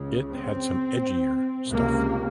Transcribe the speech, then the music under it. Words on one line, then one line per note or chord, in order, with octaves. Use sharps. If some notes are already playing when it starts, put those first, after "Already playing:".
It had some edgier stuff.
Already playing: C#2 C#3
C4
C#2 C3 A#3